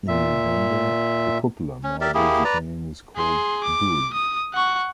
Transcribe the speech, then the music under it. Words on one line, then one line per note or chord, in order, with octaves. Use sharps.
In Uganda, a popular marbles game is called "dool".
A#2 E5
C#4
G4 A#4 D5 E5
A#3 E4 G4 G#4
B4 D5 A#5
G#4 C6
D6
D#6
F#5 C#6